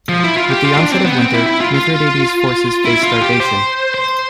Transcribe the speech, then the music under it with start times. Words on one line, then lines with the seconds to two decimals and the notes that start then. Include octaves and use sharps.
With the onset of winter, Mithridates's forces faced starvation.
0.09 F3
0.24 E4
0.37 F4
0.50 G4
0.65 F4
0.77 D4
0.92 C4
1.05 B3
1.20 C4
1.34 E4
1.46 E4
1.61 F4
1.74 F4
2.85 E4
3.03 F4
3.21 G4
3.40 C5
3.94 C5